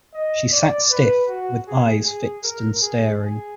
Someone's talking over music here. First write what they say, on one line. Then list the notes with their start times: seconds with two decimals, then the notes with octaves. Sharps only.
She sat stiff, with eyes fixed and staring.
0.14 D#5
0.52 D5
0.91 B4
1.28 F#4
1.68 G#4
2.05 G#4
2.44 A#4
2.82 G#4
3.21 G#4